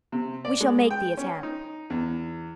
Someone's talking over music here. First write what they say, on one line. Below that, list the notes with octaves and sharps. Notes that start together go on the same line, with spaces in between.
We shall make the attempt.
C3
D5
G#3
G5
C#4
D#4
E2